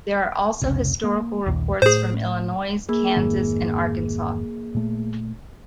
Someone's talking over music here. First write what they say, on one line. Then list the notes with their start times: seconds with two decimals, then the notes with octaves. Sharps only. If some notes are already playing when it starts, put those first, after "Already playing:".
There are also historical reports from Illinois, Kansas, and Arkansas.
0.62 F1 C2 C#3
1.04 A#3
1.46 A#1 D#2
1.82 A2 G#4 C5
2.89 A#3 G#4
3.16 F1 G#2 D#3
4.74 A#2 A3